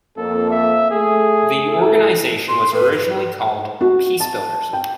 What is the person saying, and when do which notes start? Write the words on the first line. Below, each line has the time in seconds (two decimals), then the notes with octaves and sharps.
The organization was originally called "Peacebuilders".
0.16 F2 A#3 A4
0.50 E5
0.91 A3 G#4
1.67 E4 A4
2.48 C6
2.74 B4
2.92 B4
3.81 F#4
4.20 A5
4.73 G5